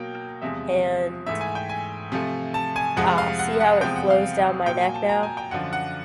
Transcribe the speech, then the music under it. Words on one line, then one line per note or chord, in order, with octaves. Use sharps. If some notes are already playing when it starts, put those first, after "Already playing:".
And — ah, see how it flows down my neck now!
Already playing: B2 F#3 A#3 G5
E2 C3 F3 G#3 E5
G#2 E3 A3 E5
G#5
G5
G#5
C3 F3 A3
A5
G#5
F2 C3 F3 G#3 F#5
F5
F#5
F#5
E2 C3 F3 G#3 G5
F#5
F5
A#2 F#3 A#3 G5
G#5
A5
A#5
G#5
G5
F#2 D3 F3 F#5
F#5